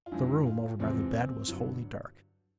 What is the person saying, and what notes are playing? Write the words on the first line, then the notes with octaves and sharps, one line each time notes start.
The room, over by the bed, was wholly dark.
F4
F#2 D3 F3 G#3 E4
F4
E2 C3 F3 G#3 C4
G2 D3 F#3